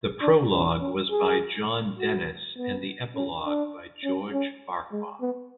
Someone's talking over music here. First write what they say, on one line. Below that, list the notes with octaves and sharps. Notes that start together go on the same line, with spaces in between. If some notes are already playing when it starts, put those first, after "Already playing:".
The prologue was by John Dennis and the epilogue by George Farquhar.
D4
C#4
C#4
G#4
F#4
B3
C#4
D4
C#4
C#4
G#3
B3